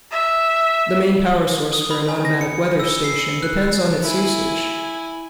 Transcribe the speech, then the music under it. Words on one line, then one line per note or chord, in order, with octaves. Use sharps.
The main power source for an automatic weather station depends on its usage.
E5
D#6
B5
G#5
A#6
C#7
E6
C7
C#7
F#6
E4 G#5